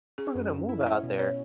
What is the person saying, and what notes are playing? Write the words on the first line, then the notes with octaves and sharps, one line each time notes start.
we’re gonna move out there.
C#4 G#4
F#2
F#2
E4
C#4 E5
B2
B2 C#5